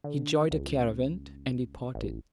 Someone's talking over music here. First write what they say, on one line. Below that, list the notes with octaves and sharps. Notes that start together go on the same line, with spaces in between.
He joined a caravan, and departed.
D3
C#2
A1